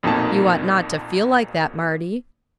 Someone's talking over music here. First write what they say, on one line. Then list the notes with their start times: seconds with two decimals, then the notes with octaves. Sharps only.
"You ought not to feel like that, Marty."
0.03 A#1 F2 B2 A#3 D#4 A5